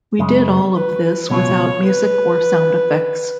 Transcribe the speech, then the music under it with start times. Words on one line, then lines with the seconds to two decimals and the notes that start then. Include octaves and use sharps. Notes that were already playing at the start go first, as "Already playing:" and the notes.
We did all of this without music or sound effects.
0.19 F#2 C#3 G#3
0.75 B4
1.30 C#2 B2 F#3 C#4 F4 C#5
1.86 B4